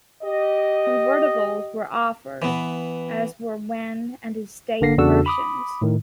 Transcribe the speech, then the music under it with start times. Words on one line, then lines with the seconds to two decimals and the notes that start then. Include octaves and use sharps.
Convertibles were offered, as were van and estate versions.
0.23 G4 D#5
2.42 E3 B3
4.81 G#1 D3 A#3 A#6 C7
4.98 E2 C#3 D4 F#4 A4 E6
5.26 B5 D6 D#6
5.82 A2 D#3